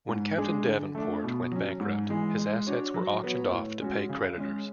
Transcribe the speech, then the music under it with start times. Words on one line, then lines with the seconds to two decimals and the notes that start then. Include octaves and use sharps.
When Captain Davenport went bankrupt, his assets were auctioned off to pay creditors.
0.09 G#2
0.38 G#3 D4 G#4
0.66 D3
0.95 A3 D4
1.24 B2
1.52 F#3 C#4
1.80 G#2
2.09 E3 G#3
2.38 G#3
2.67 D4 F#4 C#5
2.94 F#3
3.24 B3 F#4 C#5
3.51 A2
3.80 G#3 C#4 F#4
4.09 C#3
4.38 G#3 C#4